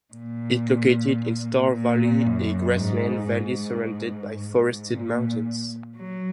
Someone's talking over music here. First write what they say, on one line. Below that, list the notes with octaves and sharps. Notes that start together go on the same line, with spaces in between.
It located in Star Valley, a grassland valley surrounded by forested mountains.
A#2
A#2
F#2
G#2
G#2
G#2
A#2
F#3